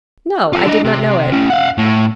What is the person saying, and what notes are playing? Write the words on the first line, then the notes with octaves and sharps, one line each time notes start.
"No, I did not know it."
F4 A4
D4 D#5
C3
A3 C#4
F5 F#5
A2